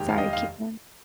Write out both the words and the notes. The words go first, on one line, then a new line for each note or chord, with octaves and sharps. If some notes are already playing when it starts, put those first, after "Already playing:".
sorry, keep going.
Already playing: F1 D#2 D#3 G#3 G4 G#4
F5
D#5
F5